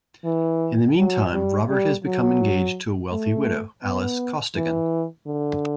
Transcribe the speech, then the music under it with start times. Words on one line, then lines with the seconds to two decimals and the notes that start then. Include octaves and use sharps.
In the meantime, Robert has become engaged to a wealthy widow, Alice Costigan.
0.25 E3
0.97 F#3
1.33 G3
1.69 G3
2.05 F#3
3.12 A3
3.84 B3
4.56 E3
5.27 D3